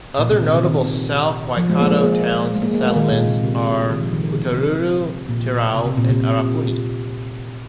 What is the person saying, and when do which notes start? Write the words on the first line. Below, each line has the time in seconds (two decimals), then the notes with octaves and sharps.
Other notable South Waikato towns and settlements are Putaruru, Tirau and Arapuni.
0.19 A#2
0.30 C3
0.42 D#3
0.54 C3
0.64 D#3
1.57 F3
1.70 G#3
1.81 A#3
1.92 G#3
2.04 A#3
2.54 G#3
2.62 A#3
2.74 A#3
2.85 G#3
2.96 D#3
3.12 A#2
3.27 C3
3.43 C3
3.89 D#3
4.01 F3
4.13 D#3
4.24 D#3
4.36 C3
4.46 D#3
4.56 C3
5.29 A#2
5.74 C3
5.86 C3
5.97 A#2
6.09 C3